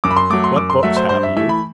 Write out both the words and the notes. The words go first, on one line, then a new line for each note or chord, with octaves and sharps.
"What books have you?"
F#2 D6
B5
C6
F#3 A3 D6
C6
F#2 D6
C6
F#3 A3 E5
C5
G2 C5
E5
E3 A3 E5
B5